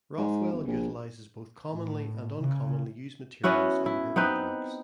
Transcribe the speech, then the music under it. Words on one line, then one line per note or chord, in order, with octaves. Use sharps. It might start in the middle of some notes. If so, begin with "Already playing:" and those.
Rothwell utilises both commonly and uncommonly used materials in her artworks.
G#2
G1
A#1
A2
C#3
B3 C#4 E4 F#4
E4
B3 C4 D#4 B4